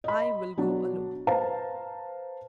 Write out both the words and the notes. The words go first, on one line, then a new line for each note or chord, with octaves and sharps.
"I will go alone."
D#5 B5
B2 F#3 D4
B4 C5 F5 A5 A#5